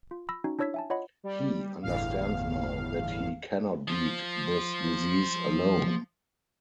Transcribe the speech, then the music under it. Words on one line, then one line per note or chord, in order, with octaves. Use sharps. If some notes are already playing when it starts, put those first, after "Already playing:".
He understands now that he cannot beat this disease alone.
F4
B5 E6 A#6
C#4 D#4 F#4
D4 E4 C#5 E6 G#6 B6
E5 G#5 A5
F4 C#5 D#5 F#5 B5
G3
G1 E2 A2 F5
F3 F4